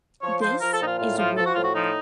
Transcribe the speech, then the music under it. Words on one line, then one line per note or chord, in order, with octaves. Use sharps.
This is war!
F3 C#5
F3 C5
F3 A#4
A4
A#2 D#4
F4
A2 F4
F3 F4
F3 A4
F#4
A2 F4
F#4
F3 D#4